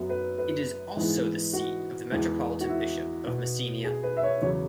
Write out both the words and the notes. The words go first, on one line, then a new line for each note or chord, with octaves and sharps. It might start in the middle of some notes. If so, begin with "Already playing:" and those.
It is also the seat of the Metropolitan Bishop of Messenia.
Already playing: F#2 F#3 B3
B4
B4
G#2 E3 G#3 B3
F#4
E2 E3 G#3 B3
F#4
E4
B2 B3
G#4
B4
E5
C#5
E2 C#3 F#3 C#5